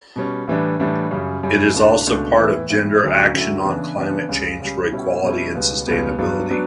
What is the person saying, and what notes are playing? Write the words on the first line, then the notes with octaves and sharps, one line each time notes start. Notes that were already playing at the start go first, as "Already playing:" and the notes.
It is also part of Gender Action on Climate Change for Equality and Sustainability.
B2 G3 C#4
A2 E3 G3 D4
A2 E3 G3 D4
F#2 C#3 G3
F#2 C#3 G3
C#2 B2 A3 D4
C#2 B2 A3 D4
A2 E3 B3 E4
A2 E3 B3 E4
D2 D3 F#3 C#4 E4
D2 D3 F#3 C#4 E4
C#3 E3 B3 D4
C#3 E3 B3 D4
C#2 C#3 G3
C#2 C#3 G3
B2 G3 C#4 E4
B2 G3 C#4 E4
C#2 B2 G3 B3
C#2 B2 G3 B3
G2 F#3 B3 D4
F#3 B3 D4